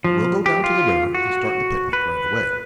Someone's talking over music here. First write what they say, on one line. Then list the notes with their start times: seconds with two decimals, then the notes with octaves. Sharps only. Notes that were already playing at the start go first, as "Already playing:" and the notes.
But we'll go down to the river and start the picnic right away.
0.04 F3
0.46 G4
0.64 F4
1.15 F#4
1.93 B4